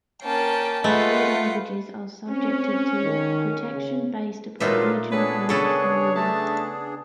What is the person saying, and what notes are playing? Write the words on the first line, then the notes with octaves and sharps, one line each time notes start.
The three languages are subjected to protection based upon regional and national laws.
A#3 C#4 G5 A5
G#3 A3 F4 B4 F#5
C4 C#4
D#3
C#3
A#2 F#3 D4 D#4 F4 B4 E5
B3 D4 G#4 A4 B4 C#5
C#3 A4 B4 C#5
A3 A5